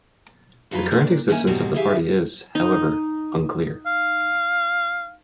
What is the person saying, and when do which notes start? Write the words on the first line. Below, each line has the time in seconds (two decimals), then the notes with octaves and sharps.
The current existence of the party is, however, unclear.
0.71 F2 F#3 F4 B4 A#5
0.91 A#2 D4 D5
1.29 A#3 C#4 D#4 E4 G#5
1.47 G#2 B2 F#3 G3 C4
1.74 E4 G4 G#4 E5 F5
2.55 D#4
3.86 F5